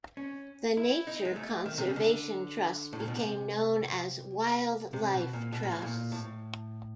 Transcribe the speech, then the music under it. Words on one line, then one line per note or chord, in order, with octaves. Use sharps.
The Nature Conservation Trusts became known as Wildlife Trusts.
C#4
E4
D#4
G#3
A3
D#3
C3
C#3
D3
A2
A#2
B2
C3
C3
B2
A#2
B2
A#2
A2
A#2
A2